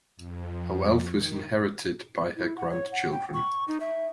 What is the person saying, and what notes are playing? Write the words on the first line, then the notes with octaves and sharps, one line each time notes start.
Her wealth was inherited by her grandchildren.
F2
D#3
E4
F#5
C#5
F#5
G5
C#6
D#4
E5